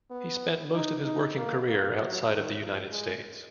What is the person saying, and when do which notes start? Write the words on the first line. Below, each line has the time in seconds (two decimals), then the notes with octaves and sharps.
He spent most of his working career outside of the United States.
0.11 B3
0.74 D#4
1.05 D#4
1.36 A#3
1.66 A#3
1.98 F#3
2.29 D#3
2.60 F3
2.91 G#3